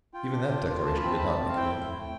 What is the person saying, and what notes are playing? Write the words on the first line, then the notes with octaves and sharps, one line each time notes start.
Even that declaration did not make her look at him.
F4 G5
D4
F4
F4
E3 A5
B5
C4 A5
A3 B5
A5
C4
F5
E4 G5
A2
A3